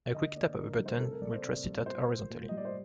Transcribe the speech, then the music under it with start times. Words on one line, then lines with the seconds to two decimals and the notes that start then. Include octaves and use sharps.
A quick tap of a button will thrust it out horizontally.
0.14 D3 D#5
0.36 A#3 D5
0.58 D3 A#4
0.79 G3
0.86 C5
0.93 A#4
1.00 C3 A4
1.11 A#4
1.22 A#3 D5
1.33 C5
1.43 C3 D5
1.65 G3
1.86 A#2 C5
2.08 A#3
2.30 A#2
2.49 G3 D#5
2.57 D5
2.65 C5